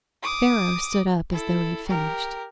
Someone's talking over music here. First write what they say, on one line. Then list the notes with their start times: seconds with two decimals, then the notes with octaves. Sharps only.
Pharaoh stood up as though he had finished.
0.23 D6 D#6
1.31 E4 A4
1.88 G4 A#4